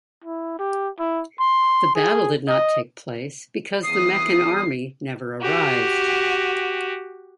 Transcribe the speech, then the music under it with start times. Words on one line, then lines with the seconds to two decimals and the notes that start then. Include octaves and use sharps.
The battle did not take place because the Meccan army never arrived.
0.24 E4
0.59 G4
0.99 E4
1.40 C6
1.95 G#4
2.48 D#5
3.84 E2 D#6 C7
5.41 F#4 G4